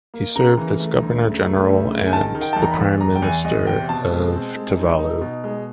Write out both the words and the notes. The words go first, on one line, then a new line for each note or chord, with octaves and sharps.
He served as Governor-General and the Prime Minister of Tuvalu.
A#3
C#3 A#5
E3
A3
D2
C#3
A3
D2
C#3
G#5
D#3 A5
D#3
G5
E2 A5
A#5
B5
E2
E2 A#5
G5
E2 G#5
E2 D#5
C3 G5
B2 A5
G#3
C4
G#3
D#4
D#4
B2
G#3